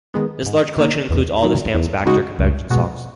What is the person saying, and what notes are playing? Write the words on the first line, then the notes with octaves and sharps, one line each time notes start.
This large collection includes all of the Stamps-Baxter convention songs.
D#3 G#3 B3
G#2
D#3 A#3
E2
D#3 F#3
E2
C#3 G#3 D#4 F#4
C#2
B2 G#3 B3 F#4